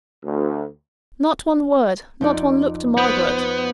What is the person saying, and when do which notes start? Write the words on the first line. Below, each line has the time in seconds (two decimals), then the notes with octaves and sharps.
Not one word: not one look to Margaret.
0.24 D2
2.21 F2 D#4 D5
2.98 B3 C5 D#6